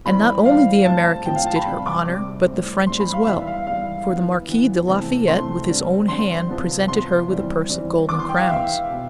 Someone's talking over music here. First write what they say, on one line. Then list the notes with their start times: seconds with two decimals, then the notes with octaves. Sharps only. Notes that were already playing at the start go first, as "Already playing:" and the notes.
And not only the Americans did her honor, but the French as well, for the Marquis de Lafayette with his own hand presented her with a purse of golden crowns.
0.05 E3 G3 C4 B5
0.45 E3 G3 C4 F5
0.86 A2 F3 C4 A5
1.26 A2 F3 C4 G5
1.36 F5
1.46 A5
1.56 B5
1.66 C3 G3 C4
1.86 D6
2.06 C3 G3 C4
2.47 A2 G3 C4
2.87 A2 G3 C4 C6
3.00 B5
3.14 F5
3.27 E3 G3 B3 E5
3.47 F5
3.67 E3 G3 B3 F5
4.07 E3 B3
4.48 E3 B3
4.87 C3 E3 A3 C4
5.28 C3 E3 A3 C4 C6
5.68 D3 G3 C4
6.08 D3 G3 C4 C6
6.48 C3 F3 B3
6.88 C3 F3 B3 C6
7.29 E3 G3 C4
7.69 E3 G3 C4
8.09 E3 B3 D6
8.19 C6
8.29 G5
8.39 F5
8.49 E3 B3 E5
8.90 B2 B3